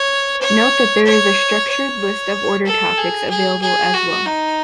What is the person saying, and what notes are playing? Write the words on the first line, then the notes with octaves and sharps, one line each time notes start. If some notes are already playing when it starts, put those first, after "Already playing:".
Note that there is a structured list of order topics available as well.
Already playing: C#5
C#5
C#5
C#5
A4
G#4
G#4
G#4
F#4
D#4